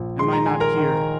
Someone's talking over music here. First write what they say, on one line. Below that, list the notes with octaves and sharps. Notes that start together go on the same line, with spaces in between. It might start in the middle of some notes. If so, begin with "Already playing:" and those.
Am I not here?
Already playing: A#1
G#3 C6
A#5
D#3 G#5
A#4 A#5
D#3